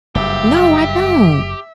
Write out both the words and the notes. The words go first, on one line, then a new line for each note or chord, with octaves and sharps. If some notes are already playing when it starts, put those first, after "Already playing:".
No, I don't.
F#1 G2 G4 E5